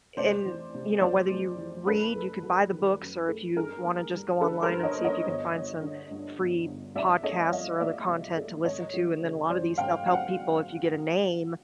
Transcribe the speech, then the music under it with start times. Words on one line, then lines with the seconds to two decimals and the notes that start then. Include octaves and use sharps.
and, you know, whether you read, you could buy the books, or if you wanna just go online and see if you can find some free podcasts or other content to listen to, and then a lotta these self-help people if you get a name,
0.17 F1 C5 D5
0.46 E3
0.74 C3
1.02 F2 C5 D5
1.30 F1
1.58 E3
1.87 F#2 A4 B4
2.16 A3
2.43 F#3
2.71 D#3
3.01 F#2
3.28 A3
3.56 G2 G#4 A#4
3.84 A#3
4.13 G3
4.41 D3 A4 B4
4.62 A#4 C5
4.70 G2
4.83 C#5 D#5
4.98 A#3
5.05 C#5 D#5
5.27 G1
5.55 G1
5.82 D3
6.11 G2
6.39 G1
6.67 G1
6.95 C2 D5 E5
7.23 A3 C#5 D#5
7.52 F3 D#5 F5
7.80 A#2 D5 E5
8.08 C2
8.37 A3
8.65 G#1 C#5 D#5
8.94 F#3
9.22 C#3
9.49 F#2 C5 D5
9.78 G#1 F5 G5
10.06 F#3 F5
10.13 F#5